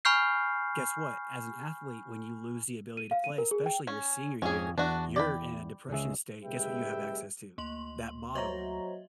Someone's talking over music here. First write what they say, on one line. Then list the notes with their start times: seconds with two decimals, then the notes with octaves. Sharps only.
Guess what? As an athlete, when you lose the ability to play, especially your senior year, you're in a depression state. Guess what you have access to? That bottle
0.05 G#5 B5 C#6 F6 G6 C7
2.97 D#7
3.11 F5
3.24 D#7
3.38 A#4
3.51 G#4
3.66 G5
3.87 C#4
4.42 F2 C#4 G#4
4.78 E2 D4 F#4
5.16 D5 G5 B5
5.91 C#2 G#4 E5
6.43 F#1 G#3 G4 B4 E5 G5
7.58 D2 A#3 C6 F#7
8.35 F#3 C5 C#5 D#5 E5 A#5